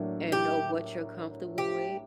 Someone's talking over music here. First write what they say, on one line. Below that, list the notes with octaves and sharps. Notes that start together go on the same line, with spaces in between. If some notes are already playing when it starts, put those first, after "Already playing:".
and know what you're comfortable with,
Already playing: A2 F#3 A#3 D4
G4
G4